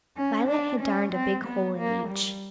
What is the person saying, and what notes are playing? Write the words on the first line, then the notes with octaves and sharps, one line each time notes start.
Violet had darned a big hole in each.
C#4
D4
C#4
C4
B3
A#3
G3